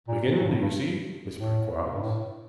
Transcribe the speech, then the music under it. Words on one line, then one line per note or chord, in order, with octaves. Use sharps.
"Wigan, do you see?" whispered Quarles.
A#2
A2
G2
G2
A2
G2
A2